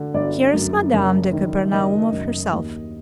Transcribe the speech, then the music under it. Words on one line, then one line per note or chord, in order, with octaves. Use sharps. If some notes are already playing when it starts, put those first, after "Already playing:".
Here is Madame de Kapernaumov herself.
Already playing: D3
G1 D5
F#2
F#1
D#3
F#1 D#5
F#2
D#2